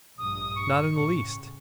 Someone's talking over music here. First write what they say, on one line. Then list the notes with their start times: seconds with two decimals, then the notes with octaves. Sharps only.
"Not in the least."
0.18 A#1 G2 D#6
0.56 C#6
0.91 A2 C#3